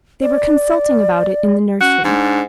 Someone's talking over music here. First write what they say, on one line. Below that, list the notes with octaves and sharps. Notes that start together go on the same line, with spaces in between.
They were consulting about it in the nursery.
D5
C#4 F#4
G#2 D4